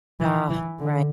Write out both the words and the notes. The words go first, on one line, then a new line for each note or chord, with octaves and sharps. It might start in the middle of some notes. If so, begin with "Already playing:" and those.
Ah, righ
E3
E3
D3